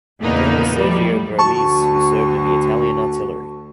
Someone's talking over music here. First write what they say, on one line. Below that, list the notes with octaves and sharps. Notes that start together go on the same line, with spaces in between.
Colonel Sergio Berlese who served in the Italian artillery.
E2 A#2 C#3 A#3 B3 D#4
A2 F3 G3
D2 F#4 A5 C#6